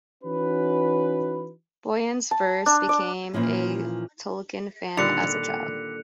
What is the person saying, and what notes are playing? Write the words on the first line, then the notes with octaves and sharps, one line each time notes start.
Boyens first became a Tolkien fan as a child.
E3 C#4 D#4 F#4 B4
A5
D4
D5
A#2 E3 F3 C#4
A#2 D3 D#3 G3 F#6 C#7 F7